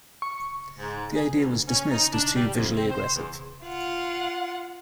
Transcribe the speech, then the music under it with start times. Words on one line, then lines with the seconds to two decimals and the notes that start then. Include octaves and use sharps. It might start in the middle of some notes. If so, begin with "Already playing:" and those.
The idea was dismissed as too visually aggressive.
0.22 C#6
0.79 G#2
1.16 G#4
1.35 D2
1.67 C#4
1.91 D#4
2.13 D4
2.36 G3
2.54 F2
2.76 C4
2.92 C5
3.16 E2
3.64 F4 F#5